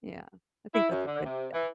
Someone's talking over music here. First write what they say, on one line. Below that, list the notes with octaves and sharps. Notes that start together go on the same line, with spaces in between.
Yeah, I think that's a great idea.
E4
F#2
D3
C3
E3